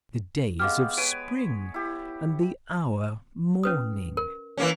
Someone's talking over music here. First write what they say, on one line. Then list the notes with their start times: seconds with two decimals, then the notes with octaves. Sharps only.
The day is of spring, and the hour morning.
0.59 G#3 B3 G4 F5 D6 F6
0.97 B4 C#5 G#5 D7 D#7
1.74 E4 G4
3.63 C#4 B4 D#6
4.17 A#4
4.57 E3 A#3 C#4